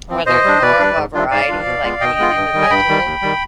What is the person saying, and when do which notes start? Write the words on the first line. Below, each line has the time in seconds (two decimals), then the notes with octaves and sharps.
where there's more of a variety, like, being individual
0.09 F3 C4
0.26 B2 C5 D#5
0.44 G3 D4
0.62 B2 B4 D5
0.80 G3 D4
0.96 G#2
1.14 D#3 G3 D4 F4
1.31 G#2 D5 F5
1.49 D#3 G3 D4 F4
1.65 B2
1.83 G#3 B3 F4
2.01 B2 D#5 G5
2.19 G#3 B3 F4
2.36 G2
2.53 D#3 G3
2.62 G#5
2.70 G2 G5 B5
2.88 D#3 G3
3.05 D#2
3.22 D#3 G3